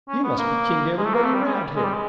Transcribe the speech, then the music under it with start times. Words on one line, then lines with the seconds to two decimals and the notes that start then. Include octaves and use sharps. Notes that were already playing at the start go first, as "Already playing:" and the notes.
"You must be kin to everybody around here?"
0.08 C#4
0.24 B3
0.38 A#3
0.98 G#3
1.06 A3
1.14 A#3
1.24 A3
1.34 G3
1.45 G#3
1.54 G3
1.75 G#3
1.85 G3
1.93 G#3